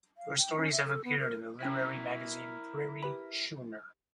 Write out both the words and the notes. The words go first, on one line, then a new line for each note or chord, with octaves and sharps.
Her stories have appeared in the literary magazine Prairie Schooner.
F5
G5
C#4
E5
A4
B3
A#4
C#4 E4 A#4 G5 B6
G4 B4 B5